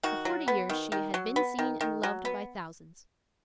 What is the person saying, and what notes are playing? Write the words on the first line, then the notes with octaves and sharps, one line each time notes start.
For forty years she had been seen and loved by thousands.
D#3 F#4
F#3
B3
D#3
D#3
F#3
B3
D#3
D#3
F#3
B3